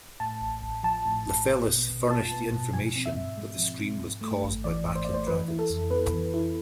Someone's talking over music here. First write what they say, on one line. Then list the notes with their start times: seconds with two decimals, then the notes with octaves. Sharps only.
Llefelys furnished the information that the scream was caused by battling dragons.
0.20 A2 A5
0.41 A1
0.62 A1
0.83 F3 A5
1.05 A2
1.26 A1
1.47 B3
1.68 B2
1.89 B2
2.10 F4 A5
2.31 B3
2.52 B2
2.73 F3 G#5
2.96 C4
3.06 E5
3.16 G#2
3.37 G#3
3.59 F3
3.79 C4
4.01 G#2
4.21 A3
4.43 G#1
4.64 E3 D5
4.85 G#2
4.95 C5
5.05 A3 D5
5.14 C5
5.27 E3 B4
5.48 E4
5.59 A4
5.70 F2
5.90 B3 B4
6.13 E3
6.34 E4